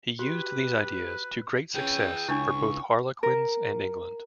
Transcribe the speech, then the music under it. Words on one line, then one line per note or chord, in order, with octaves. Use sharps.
He used these ideas to great success for both Harlequins and England.
F#4 G4 B4
C#4 G#4 B4 G5
C#2 D4 E4 C#6
A#4